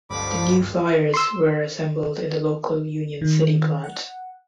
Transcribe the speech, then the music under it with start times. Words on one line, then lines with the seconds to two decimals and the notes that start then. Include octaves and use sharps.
The New Flyers were assembled in the local Union City plant.
0.10 G1 C#2 G2 D3 F3 B5 D6
1.14 C6 E6
3.21 D#3
3.84 F#5